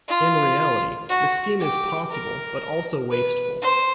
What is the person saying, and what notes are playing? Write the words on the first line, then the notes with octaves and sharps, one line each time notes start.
In reality this scheme is possible, but also wasteful.
F4
F#4
G4
A#4
B4
C5